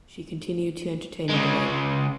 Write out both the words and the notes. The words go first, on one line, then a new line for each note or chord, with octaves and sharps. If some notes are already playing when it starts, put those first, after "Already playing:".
She continued to entertain other men.
C#3 G#3